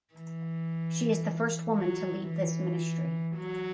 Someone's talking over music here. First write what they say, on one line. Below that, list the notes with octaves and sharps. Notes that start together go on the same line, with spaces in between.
She is the first woman to lead this ministry.
E3
F#3
E3
F#3